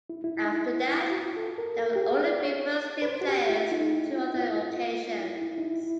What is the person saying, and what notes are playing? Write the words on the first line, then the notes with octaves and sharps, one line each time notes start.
After that, they would only be first team players in two other occasions.
E4
E4
E4
D#4
E4
E4
F#4
F4
A4
A#4
A#4
G4
G#4
D5
C#5
B4
C5
F#4
G4
F4
D#4
E4
F4
E4
F4
F4
E4
E4
D#4
E4
E4